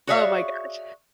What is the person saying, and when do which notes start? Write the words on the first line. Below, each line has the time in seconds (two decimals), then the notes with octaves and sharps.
Oh my gosh.
0.07 F#4 G#4 C#5 D5 E5 F5